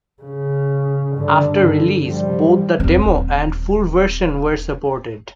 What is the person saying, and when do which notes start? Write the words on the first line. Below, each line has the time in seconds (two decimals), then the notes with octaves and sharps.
After release both the demo and full version were supported.
0.23 C#3
1.15 G2 D3
1.64 G2
2.06 F3 G3
2.80 D#1 C4